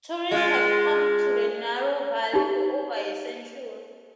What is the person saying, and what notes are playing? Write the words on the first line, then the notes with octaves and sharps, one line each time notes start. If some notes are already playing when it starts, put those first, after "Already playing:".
Tourists have come to the narrow valley for over a century.
G#3 F4
D#4 G4